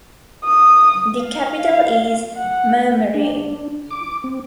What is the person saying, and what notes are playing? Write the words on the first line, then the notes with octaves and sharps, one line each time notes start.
The capital is Maumere.
D#6
F5
F#5
D4
D6
C4